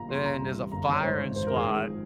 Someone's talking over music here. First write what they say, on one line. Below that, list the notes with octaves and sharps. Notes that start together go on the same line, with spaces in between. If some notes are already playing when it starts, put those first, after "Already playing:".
and there's a firing squad
Already playing: G1 A#2 F3 A#5
C2 C6
C2 A#5
G2
E3
G1 A#5
A#5
G1 C#5
G#2 C5
E3
G#1 C5
A#4
G#1 G#4
G#2
F3